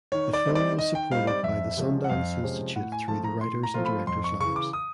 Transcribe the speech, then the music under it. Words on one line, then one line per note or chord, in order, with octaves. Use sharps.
The film was supported by the Sundance Institute through the "Writers and Directors Labs".
D#3 C#5
D5
G3 C4 D#4
D5
D#3 D#5
G5
G3 C4 D#4 F5
D5
F2 E5
C3 F3 G#3 C#4
F#5
F2 F5
C3 F3 G#3 C#4
A2 F#5
G#5
F3 A3 C4 F4 A5
A#5
A2 C6
A#5
F3 A3 C4 F4
B5
F2 C6
C#6
C#3 E3 C#6
D6
D#6